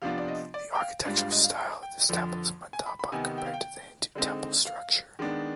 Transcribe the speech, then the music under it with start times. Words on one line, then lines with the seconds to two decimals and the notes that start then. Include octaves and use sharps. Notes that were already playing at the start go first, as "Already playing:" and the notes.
The Architecture style of this temple is Mandapa compared to the Hindu temple structure.
0.02 C3 F3 B3 D4 F4 F5
0.18 D5
0.28 D#5
0.54 D5
0.75 G5
0.80 F5
1.05 G#2 G3 D4 F4 F5
1.18 F5
1.31 D#5
1.44 F5
1.57 G5
1.83 G5
2.09 F2 D3 F3
2.73 G#5
2.86 B5
2.99 B5
3.12 C3 D#3 B3 D#4 G#5
3.38 G5
3.46 F5
3.54 G5
4.15 D3 G#3 C4 D#4
4.66 F5
5.19 D#3 G#3 B3 D4